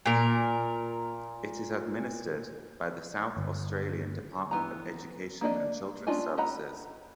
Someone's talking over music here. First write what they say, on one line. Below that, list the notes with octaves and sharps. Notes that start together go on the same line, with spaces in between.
It is administered by the South Australian Department of Education and Children's Services.
A#2 A#4
G1
E3 B3 G4 A#5
A#3 D4 D5 D#5
C#4 D4 F4 D#5 G#5
G4 D#5 F#5 A#5 B5